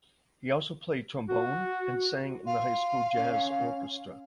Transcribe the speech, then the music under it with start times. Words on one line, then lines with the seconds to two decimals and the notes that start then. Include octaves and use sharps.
He also played trombone and sang in the high school jazz orchestra.
1.29 F#4
2.47 F5 C6
3.15 C#4